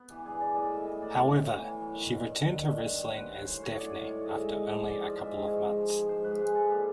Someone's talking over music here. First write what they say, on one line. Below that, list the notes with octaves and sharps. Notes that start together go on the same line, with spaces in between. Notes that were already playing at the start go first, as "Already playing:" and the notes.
However, she returned to wrestling as Daffney after only a couple of months.
Already playing: B3
E3 G4
G2 G#4
E3 D5
A2 D#5
E3 E5
A2 D#5
A2 D5
A2 C#5
A2
E3
E3
F#3
D#3
G2
D#3
G2
G2
G2
G2
F#3 C5
F#3 B4
F#3 C5
A2 C#5
F#3 C#5
D#5
F#3 D5
A2 C#5
A2 D5
G#2 D#5
G#2 E5
G#2 D#5
F3 C5
F3 D5
F3 D#5
G#2 E5
F3 D#5
G#2 C#5
G#2
F3
F3
G#2 C5
G#2 B4
G#2 G#4
F3 A4
A#2 G4